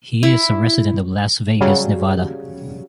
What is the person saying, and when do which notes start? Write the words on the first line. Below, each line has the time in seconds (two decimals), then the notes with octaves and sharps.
He is a resident of Las Vegas, Nevada.
0.23 E4
1.61 C#3 F#3 G3